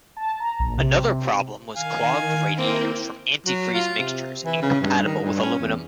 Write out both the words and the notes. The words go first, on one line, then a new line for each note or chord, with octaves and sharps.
Another problem was clogged radiators from antifreeze mixtures incompatible with aluminum.
A5
A#5
A#1
C3
D#3 F5 G#5
A#3 C4 E4 A#4 G5
F#3
F4
C3
E3
C#3
G2
D#3
G2
C#4
E2